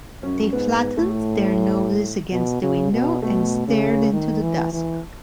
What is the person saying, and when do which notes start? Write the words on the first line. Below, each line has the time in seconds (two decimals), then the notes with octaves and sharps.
They flattened their noses against the window, and stared into the dusk.
0.22 F#2 C#4
0.52 G#2 B3
0.97 A2 A3
2.32 B2
2.63 C#3
2.92 B2
3.22 B2 A3
3.68 C#3
4.13 D#3
4.42 E3
4.73 E3